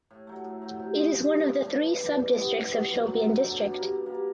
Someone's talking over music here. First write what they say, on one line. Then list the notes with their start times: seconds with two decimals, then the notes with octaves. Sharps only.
It is one of three sub districts of Shopian district.
0.11 A2
0.27 F#3 A3
0.45 A2
0.61 F#3 A3
0.79 C3
0.96 F3 G#3
1.14 C3
1.31 F3 G#3
1.48 C#3
1.65 E3 A3 D4
1.83 C#3
2.00 E3 A3 D4
2.16 E3
2.34 G3 B3
2.51 E3
2.68 G3 B3
2.85 F#2
3.03 D3 F#3 A3
3.20 F#2
3.37 D3 F#3 A3
3.55 B2
3.72 G3 A#3 D4
3.89 B2
4.06 G3 A#3 D4